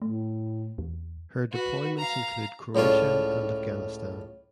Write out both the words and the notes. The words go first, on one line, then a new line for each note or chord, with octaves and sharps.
Her deployments include Croatia and Afghanistan.
A2 A3
E2
F#4 B4
F5 A#5
C#2 A2 D4 F4 C#5